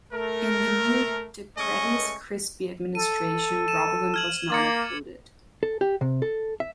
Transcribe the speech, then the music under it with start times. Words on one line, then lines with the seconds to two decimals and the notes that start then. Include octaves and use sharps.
In the new Depretis-Crispi administration Robilant was not included.
0.13 A3 A#4
1.57 G#3 A3 C#4 D#5 G#5 C#6
2.95 A4 D#7
3.68 D#7 E7
4.14 F6 G#6 F#7
4.50 A#3 D6 A6 C#7
5.63 A4
5.81 G4
6.01 C3
6.22 A4
6.60 E5